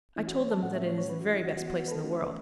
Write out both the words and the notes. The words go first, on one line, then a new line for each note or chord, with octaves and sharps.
I told them that it is the very best place in the world.
E3 C#4 E4
F#4
C#5
A5
A2 A3 C#4 F#5
E5
C#5
C#5
E3 C#4 B4
F#4
E4
F#4
E3 B3 F#4
F#4
F#4
B4
A4
E3 A3 C#4 F#4
B4